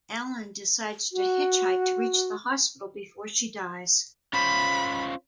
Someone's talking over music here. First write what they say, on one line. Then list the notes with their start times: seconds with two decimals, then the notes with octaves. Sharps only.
Alan decides to hitchhike to reach the hospital before she dies.
1.13 F#4
4.33 C#4 F4 C5 B5